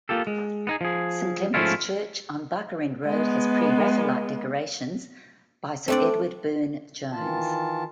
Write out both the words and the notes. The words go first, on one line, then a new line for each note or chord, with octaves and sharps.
Saint Clement's Church on Barkerend Road has Pre-Raphaelite decorations by Sir Edward Burne-Jones.
A#3 F4 G4 A4
G#3
B3 D#4 G#4
F3 G#4
G#2 F3 A3 C#4 E4 F4
G#3 B3
A3 C4 D4 D5
D#3 E3 F4 A5